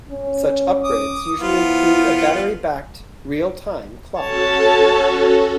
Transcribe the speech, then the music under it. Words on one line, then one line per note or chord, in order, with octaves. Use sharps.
Such upgrades usually include a battery-backed real-time clock.
C#4
D6 D#6
F3 B3 E4 F4
C#4 F#4 A4 C#5 A5